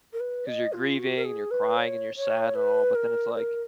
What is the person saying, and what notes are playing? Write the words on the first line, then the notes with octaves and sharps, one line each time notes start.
'cause you're grieving and you're crying and you're sad and all, but then it's like
A#4
B4
D#5
F4
F#4
A#4
G#4
B4
C#5
C#5
B4
A#4
A#4